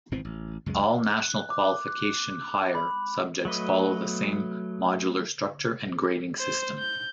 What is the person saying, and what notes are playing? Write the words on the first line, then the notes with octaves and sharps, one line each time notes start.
All National Qualification Higher subjects follow the same modular structure and grading system.
G#1 B2 E3 C4
A1
C#2 F#2 G3 G#3
F#6
D6
F#6
B5
F#3 A3 B4 D#5
C5
G6